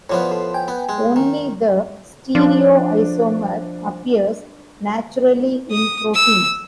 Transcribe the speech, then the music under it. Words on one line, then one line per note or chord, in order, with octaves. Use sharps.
Only the -stereoisomer appears naturally in proteins.
A2 F3 B3 C#5 D5
A4 C6
G5 G#5
B3
G#3
D#3
F3 D4
D#6
E6